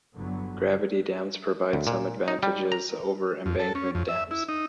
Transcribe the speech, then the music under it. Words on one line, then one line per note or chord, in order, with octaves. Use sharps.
Gravity dams provide some advantages over embankment dams.
G1 D3 F#3 B3
D2
A#2
D#4
G3
A#5
F2
A4
C#4
F2
E5
E4
D#4